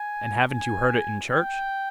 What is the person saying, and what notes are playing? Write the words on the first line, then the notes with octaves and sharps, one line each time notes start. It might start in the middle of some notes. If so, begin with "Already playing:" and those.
"And haven't you heard it in church?"
Already playing: G#5
G#5
G5